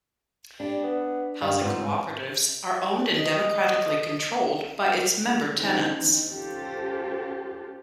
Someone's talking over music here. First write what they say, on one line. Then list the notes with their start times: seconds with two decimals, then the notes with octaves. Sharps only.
Housing co-operatives are owned and democratically controlled by its member-tenants.
0.60 G3 D4
0.84 B3
1.42 G2 G3 F5
1.61 G#2 B3 C4 F4 D5
3.20 D#5
5.49 D3 E3 C4 C#4 D#4
6.29 C#4 F4 G4 A4 C5